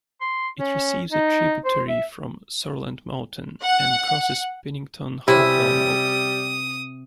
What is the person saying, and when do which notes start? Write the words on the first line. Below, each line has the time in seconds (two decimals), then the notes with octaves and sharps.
It receives a tributary from Sourland Mountain, and crosses Pennington-Hopewell Road.
0.21 C6
0.59 C#4
1.12 D#4
1.65 C5
1.88 E5
3.63 F#5
5.28 C3 G3 C#4 E4 G4 D#6